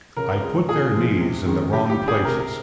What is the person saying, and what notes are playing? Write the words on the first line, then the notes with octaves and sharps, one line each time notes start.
I put their knees in the wrong places.
C#3 A#4
G#3
A#2 G#4
F3 G#3
C3
D#3 G#3
C#3 G4
G4
G3
G#4
C3 A#4